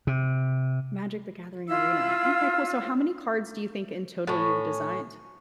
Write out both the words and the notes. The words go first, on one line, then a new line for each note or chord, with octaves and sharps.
Magic the Gathering Arena. Okay, cool. So, how many cards do you think in total you've designed?
C3
E4 F4 F5 E6
A2 C#4